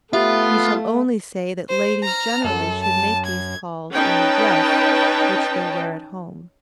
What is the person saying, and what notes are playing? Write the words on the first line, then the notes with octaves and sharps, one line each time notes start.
We shall only say that ladies generally should make these calls in the dress which they wear at home.
A3 B3 F4 G4 E5
F5
C5
A#5 F6
F#2 A4
A5
G#6
C#4 D#4 B4 G5 A5